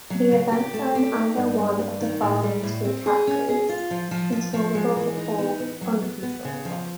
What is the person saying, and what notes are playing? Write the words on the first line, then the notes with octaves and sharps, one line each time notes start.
The events are in either one of the following two categories controllable or uncontrollable.
F#3
C#3
G4
A3
G4
D#4
G2
G2
G2
D#3
A2
G3
A2
C4
G#4
C#4
G#4
F4
F3
F3
F3
F3
G#3
E3
D#4
B3
B3
F#3
B3
B3
C#3
F3